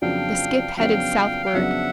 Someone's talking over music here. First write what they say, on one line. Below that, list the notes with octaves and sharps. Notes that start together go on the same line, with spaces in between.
The skiff headed southward.
F2 C#3 F#3 B3 D4 F5 G5
F2 C#3 F#3 B3 D4 F5 G5
G5
F2 C#3 F#3 B3 D4 E5 F#5